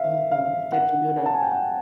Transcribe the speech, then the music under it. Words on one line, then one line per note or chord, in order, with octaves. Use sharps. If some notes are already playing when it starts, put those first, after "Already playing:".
Mhm, that you do not
Already playing: E5 F5
F5
F#5
A5
G#5
G5
F#5